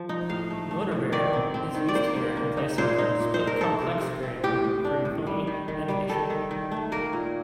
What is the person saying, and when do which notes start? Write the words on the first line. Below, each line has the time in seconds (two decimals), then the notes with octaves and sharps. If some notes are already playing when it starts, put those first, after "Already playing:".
"Motor variable" is used here in place of "split-complex variable" for euphony and tradition.
Already playing: F3
0.09 D#4
0.29 A2 F5
0.51 A3
0.71 A3
0.91 A2
1.12 D#3 D5
1.33 C4
1.54 C4
1.74 D#3
1.88 D5
1.95 A#3 C5
2.16 A#3
2.37 A#3
2.57 D#4
2.78 A#2 C5
2.98 D#4
3.19 A#2
3.34 C5
3.40 D#4
3.47 A#4
3.61 C4 A4
3.82 C3
4.02 C3
4.23 C4
4.43 A2 G4
4.64 A2
4.85 D4
5.05 A2
5.27 G3
5.47 D#3
5.68 D#3
5.89 G3
6.09 D#3 A4
6.30 D#3
6.51 D#3
6.72 A3
6.92 A#3 A#4
7.13 A#2